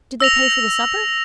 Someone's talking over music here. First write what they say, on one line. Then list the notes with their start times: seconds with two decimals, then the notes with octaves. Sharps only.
"Did they pay for the supper?"
0.20 E6 A#6 F7